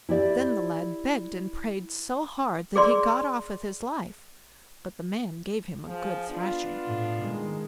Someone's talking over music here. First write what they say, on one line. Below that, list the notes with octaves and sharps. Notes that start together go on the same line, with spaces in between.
Then the lad begged and prayed so hard that he got off with his life, but the man gave him a good thrashing.
E4 G4 D5 E5
G#4 D5 C6
F3 G#4
B3 D4 F4
A2
D#3 G#3